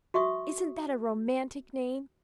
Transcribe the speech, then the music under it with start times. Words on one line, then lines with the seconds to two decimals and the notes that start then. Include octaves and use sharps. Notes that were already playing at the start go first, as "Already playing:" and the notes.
Isn't that a romantic name?
0.14 F#4 E5 C#6 D#6